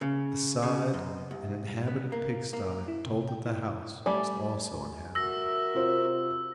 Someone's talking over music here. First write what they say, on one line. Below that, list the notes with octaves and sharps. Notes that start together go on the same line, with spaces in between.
At the side an inhabited pig-sty told that the house was also inhabited.
C#3
C#3
F#2
C2
B3
A#3
A#3
E4
C3
G5
E4
G3 A3 D5 G#5
F#4 A#4 E5 E6 A#6
C3 F4 C5